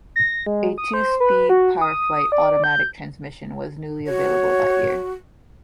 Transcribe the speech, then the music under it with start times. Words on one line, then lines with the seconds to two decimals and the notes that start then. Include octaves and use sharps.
A two-speed "PowerFlite" automatic transmission was newly available that year.
0.16 A#6
0.46 G#3
0.78 D#6
0.93 C5
1.20 B4
1.49 F#4
1.81 D#6
2.32 D5
2.64 G6
4.07 F#4 C#5